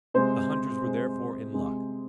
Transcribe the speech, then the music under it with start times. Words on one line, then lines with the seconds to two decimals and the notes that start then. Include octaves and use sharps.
The hunters were therefore in luck.
0.14 C3 G#3 C5
0.84 C3 G#3
1.53 C3 G#3